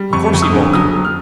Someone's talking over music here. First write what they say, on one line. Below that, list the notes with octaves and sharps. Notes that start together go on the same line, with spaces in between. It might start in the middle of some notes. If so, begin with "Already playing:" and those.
Of course he won't.
Already playing: G3
F2 C#6
F2
D#6
D3
F#3 D#6
F#3
F6